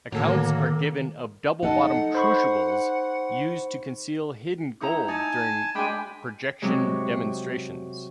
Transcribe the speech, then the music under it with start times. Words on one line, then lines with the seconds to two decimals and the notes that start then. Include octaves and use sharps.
Accounts are given of double-bottomed crucibles used to conceal hidden gold during projection demonstrations.
0.12 A2 D3 D#3 F#3 A3 A#3 A4
1.63 D#4 A4 F#5
2.15 C5 B5 C#6
4.81 D#4 E4 A#5
5.08 D#4 G#5 A5
5.75 G#3 D4 G5 G#5 B5
6.62 C3 F#3 G#3